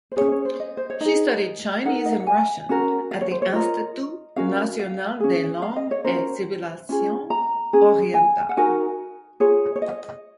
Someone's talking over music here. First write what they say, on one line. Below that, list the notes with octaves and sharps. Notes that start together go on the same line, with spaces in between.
She studied Chinese and Russian at the Institut national des langues et civilisations orientales.
C5
C#4 G#4 C#5
C#5
C5
D#5
C5
C#5
D#4 G#4 D#5
D#4 A#4 F#5
D#5
F5
F#5
G#5
C#4 F#4 A#4
F5
C#5
C5
C#5
F4 A#4 D#5
C#4 F#4 A#4 F5
F5
C#4 G#4
F5
D#5
C#5
C#4 F#4 A#4 C5
C#4 F4 G#4
A#5
C#4 G#4
G#5
F#5
D#4 F#4 A#4 G#5
F4 G#4 C#5
C#5
D#5